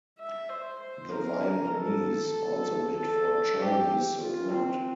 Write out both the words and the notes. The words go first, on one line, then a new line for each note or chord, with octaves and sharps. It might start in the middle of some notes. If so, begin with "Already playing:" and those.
The Vietnamese also bid for Chinese support.
E5
C5
C5
A#4
A4
A4
G4
F4
C4